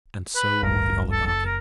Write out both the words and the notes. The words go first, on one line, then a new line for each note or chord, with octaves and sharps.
And so with the Oligarchy.
B4
D1 A1 G2 A#4
A4
F#1 A4
A#4